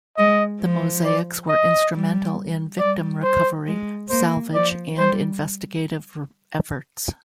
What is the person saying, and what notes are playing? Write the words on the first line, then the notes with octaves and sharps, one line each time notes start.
The mosaics were instrumental in victim recovery, salvage and investigative efforts.
G#3 D#5
F3
D5
D#5
G3
G3 D5
C5
G#3
A#3 C5
F3 D5
G3 C5